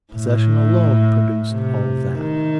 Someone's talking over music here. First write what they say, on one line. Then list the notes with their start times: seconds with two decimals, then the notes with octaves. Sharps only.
Possession alone produced all that.
0.13 A2
1.52 C3
2.20 D#3